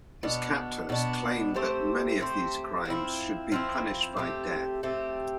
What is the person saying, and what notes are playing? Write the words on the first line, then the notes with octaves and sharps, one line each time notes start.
His captors claimed that many of these crimes should be punished by death.
B2 B3 D4
B2 B3 D4
A3 C4 G4 C5
A3 C4 G4 C5
F3 C4 E4
F3 C4 E4
A3 C4 G4
A3 C4 G4